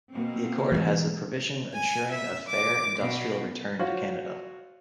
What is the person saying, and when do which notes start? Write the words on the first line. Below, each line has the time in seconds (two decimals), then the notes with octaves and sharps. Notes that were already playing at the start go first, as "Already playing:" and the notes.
The accord has a provision ensuring a fair industrial return to Canada.
0.12 B2 A#3 C4
0.72 E3 F3 G#3
1.74 G#5
2.11 E5
2.48 D6
2.98 B2
3.79 F4 F#4 C5 C#5 F5